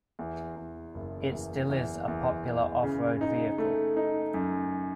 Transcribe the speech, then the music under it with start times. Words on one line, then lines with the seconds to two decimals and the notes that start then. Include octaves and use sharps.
It still is a popular off road vehicle.
0.19 E2
0.56 E2
0.94 F#1
1.32 E2
1.69 E2
2.08 E2
2.45 E2
2.83 C#3
3.21 D#4
3.58 A3
3.97 D#4
4.34 F#2